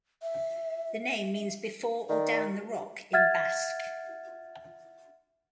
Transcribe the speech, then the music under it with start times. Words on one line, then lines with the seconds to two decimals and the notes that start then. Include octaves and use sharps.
The name means 'before or down the rock' in Basque.
0.22 E5
2.09 D#3 D5
3.13 E5 F#5 F6 G#6 A6